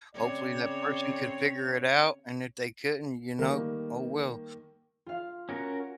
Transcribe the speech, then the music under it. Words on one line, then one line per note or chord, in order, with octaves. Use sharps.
hopefully that person could figure it out, and if they couldn't, you know, oh well.
C#3 C4 C#5 D5
D#3 G3 A3 A#3
F4 F5
C#4 F#4 A#4